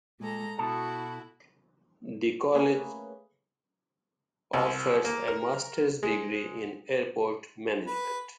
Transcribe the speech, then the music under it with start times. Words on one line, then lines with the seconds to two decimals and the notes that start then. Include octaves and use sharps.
The college offers a master's degree in Airport Management.
0.20 A#2 G#3 A4 A#5
0.58 B2 E4 F#4 A4 A5
2.55 A3 A#3 C#4 G#4 B4
4.53 C2
5.05 A#3
5.28 A#4
6.03 G#3
7.87 B4